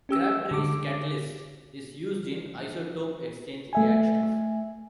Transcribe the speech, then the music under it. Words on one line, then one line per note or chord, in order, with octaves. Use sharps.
Crabtree's catalyst is used in isotope exchange reactions.
C#4 G4 E6
D3 D6
A3 E5 G#5